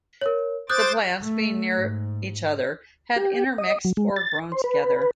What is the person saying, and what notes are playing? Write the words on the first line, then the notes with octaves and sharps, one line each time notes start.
The plants, being near each other, had intermixed or grown together.
A#4 C#5
C5 D6 D#6 F#6 G6 A6
A3
G#2
G4
D#5
F#3
G#3
A6
C5
B4